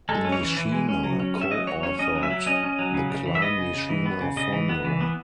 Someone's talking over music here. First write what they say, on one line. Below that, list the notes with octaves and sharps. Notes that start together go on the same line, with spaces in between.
Nishina co-authored the Klein-Nishina formula.
G#3 A4
C#4
C#5
E3
E3
G#3
C#4
F#3
C#4
C#4
E5
F#3 D#5
F#3 C#5
C#4 C#5
C#4 D#5
F#3
E5
F#3
C#4 D#5
C#4
F#3
C#3
C#3
E3
E5
B3 D#5
C#3
C#3
E3
B3
C#3
C#3 D#5
E3
B3
E3
B3